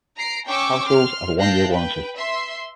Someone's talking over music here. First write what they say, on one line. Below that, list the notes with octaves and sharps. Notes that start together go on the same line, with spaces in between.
Power tools have a one-year warranty.
A#5 C7 D7
C#4 G5 C#6 D6 E6
C6 F6
F5 G5 A5 F#6 G6 A#6
B4 G5
E5 C6